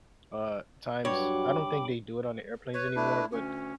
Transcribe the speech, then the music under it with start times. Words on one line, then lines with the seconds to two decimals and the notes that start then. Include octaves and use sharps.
uh, times I don't think they do it on the airplanes anymore, but
1.05 G2 F#3 F#4 C#5 G5 B5 D6
2.74 B4 C#5
2.96 A3 D4 E4
3.31 D2 C#4